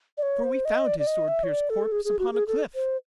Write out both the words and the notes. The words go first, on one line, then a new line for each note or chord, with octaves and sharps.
For we found his sword-pierced corpse upon a cliff.
D5
C#5
C5
D#5
D5
D5
D#5
E5
C#5
D5
A4
G#4
G#4
F#4
G4
G#4
A4
C5